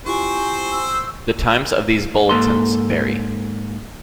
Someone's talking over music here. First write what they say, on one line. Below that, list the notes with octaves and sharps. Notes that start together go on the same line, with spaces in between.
The times of these bulletins vary.
C4 E4 F4 G4 C5 G#5 C#6
E6
G#2 A#3 A4 C6